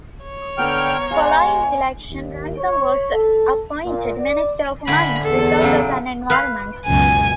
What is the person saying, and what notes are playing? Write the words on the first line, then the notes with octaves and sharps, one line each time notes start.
Following the election, Ransom was appointed Minister of Mines, Resources and Environment.
C#5
D3 B3 A#4 G5 F6
G#3 F5 G#5
D#2
C#5
A4
A#2
D5
A2 D3 G#5 B5
E2 A4
A2 C#3 F#3
B4 F5
C#2 F#2 B2 G#5